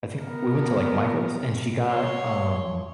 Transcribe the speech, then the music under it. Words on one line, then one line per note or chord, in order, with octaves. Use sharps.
I think we went to, like, Michael's, and she got, um,
B3 A#4
C#5 C6